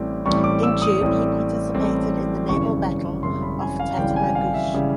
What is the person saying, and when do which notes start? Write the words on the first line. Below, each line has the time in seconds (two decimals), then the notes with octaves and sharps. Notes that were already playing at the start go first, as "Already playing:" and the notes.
In June he participated in the Naval battle off Tatamagouche.
Already playing: A1 A2 E3 G3 C4
0.25 A1 A2 E3 G3 C4 C#6
0.44 D6
0.63 E6
0.82 D#6
1.01 A1 A2 E3 G3 C4
1.74 A1 A2 E3 G3 C4
2.49 G#1 F#2 C#3 E3 G3 C#6
3.23 G#1 F#2 C#3 E3 G3 C6
3.42 B5
3.60 G#5
3.80 F5
3.97 G#1 F#2 C#3 E3 G3 G5
4.16 G#5
4.35 F5
4.54 E5
4.74 C#3 E3 G3